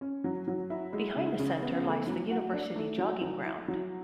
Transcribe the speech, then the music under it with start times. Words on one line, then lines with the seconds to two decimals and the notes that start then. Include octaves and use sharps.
Behind the center lies the university jogging ground.
0.01 C#4
0.24 F#3
0.48 F#3
0.70 E4
0.93 G#3
1.16 C#3
1.39 C#3
1.62 B3
1.85 A3
2.07 F#3
2.31 F#4
2.53 D4
2.76 A3
2.98 F#3
3.21 F#3
3.45 E4
3.68 F#3